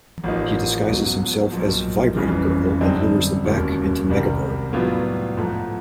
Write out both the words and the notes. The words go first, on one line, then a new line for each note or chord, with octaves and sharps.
He disguises himself as "Vibrator Girl" and lures them back into Megaburgh.
A1 A2 F3 A#3 D#4
C#2 B2 F#3
B1 A#2 F3
G1 F2 C#3 E3
F#2 D3 G3 C4 D#4
E1 D#2 C#3
C2 C3 D#3 G3
A2 F#3 B3 D4 F4
G#2 F3 A3